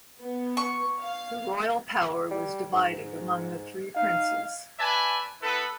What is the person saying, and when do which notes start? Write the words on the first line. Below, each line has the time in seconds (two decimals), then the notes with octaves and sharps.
The royal power was divided among the three princes.
0.20 B3
0.57 C#6
1.02 F5
2.31 G3
2.73 G#2
3.96 D#4 F5
4.79 B4 D5 E5 G#5 A5 B5
5.42 B3 E4 A4 B4